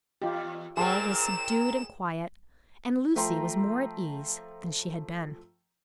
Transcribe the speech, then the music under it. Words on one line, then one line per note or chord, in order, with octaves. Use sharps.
All was subdued and quiet, and Lucie was more at ease than she had been.
E2 F4 G4
A#2 A#3 C4 G#4 G5 E7
F3 A3 G5 A#5 C6